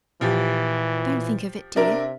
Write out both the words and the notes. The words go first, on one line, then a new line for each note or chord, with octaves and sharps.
'Don't think of it, dear.
A#2 E3 F3 G4
C3 D4 A#4 E5